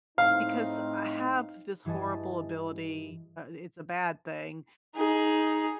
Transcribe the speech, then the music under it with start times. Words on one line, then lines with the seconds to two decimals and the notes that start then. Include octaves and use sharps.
because I have this horrible ability uh, i it's a bad thing-
0.18 A2 C4 D#4 F5
1.85 G2 E3 F#4 G#4 D#5 A5
4.96 D#4 G#4